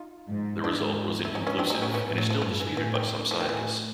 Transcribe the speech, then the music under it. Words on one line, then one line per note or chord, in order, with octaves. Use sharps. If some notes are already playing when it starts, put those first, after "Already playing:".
The result was inconclusive, and is still disputed by some scientists.
Already playing: D#4 F4
G#2
G#2 D4 E4
E4
G#2 C#4 D#4
B3 C#4
C4 D4
A2 C#4 D#4
B3 C#4
B3 C#4
A2
F#3
F3
G2 F3
E3
A2 E3
D#3
F3
D#3
A2 E3